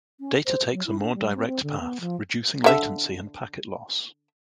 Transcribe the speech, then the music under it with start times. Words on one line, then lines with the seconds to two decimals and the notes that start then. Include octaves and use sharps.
Data takes a more direct path, reducing latency and packet loss.
0.20 C#4
0.46 C5
0.73 F#3
0.86 E4
1.00 D4
1.15 G3
1.35 C4
1.47 C4
1.63 D3
1.80 B3
2.00 F3
2.64 D3 E5